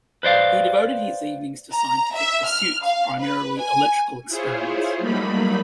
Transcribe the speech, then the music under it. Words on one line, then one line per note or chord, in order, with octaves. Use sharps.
He devoted his evenings to scientific pursuits-primarily electrical experiments.
B4 C5 D5 F5
A#5
E5
F6
F5
B4
G#5
E4 F4 G#4 C5 C#5
F#3 G3 A3 A#3 D#4 B5